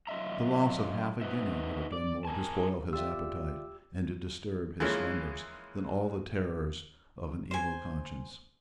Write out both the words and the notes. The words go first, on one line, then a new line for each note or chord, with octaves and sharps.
The loss of half a guinea would have done more to spoil his appetite and to disturb his slumbers than all the terrors of an evil conscience.
F#2 F4 D#5 E5 A#5
D#4 F#4 B4 C5 D#5 E5
D5
A#4 G#5 A5
F4 G4 D5 E5 E6
E3 F3 G#3 A#3 C#4
C5 G#5